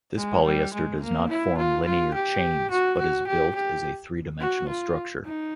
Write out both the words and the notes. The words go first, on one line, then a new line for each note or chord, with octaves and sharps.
This polyester does not form linear chains, but is built as a three-dimensional structure.
G#3
G3
G#3
A#3
E4
F4
F4
G4
F#4
F#4
G4
G4
F#4
F4
D#4